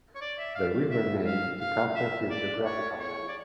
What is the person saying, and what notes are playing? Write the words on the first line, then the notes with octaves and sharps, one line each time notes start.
The river name took after this geographical name.
C#5
D5
E5
F5
E5
F5
F5
E5
D5
C#5
C#5
D5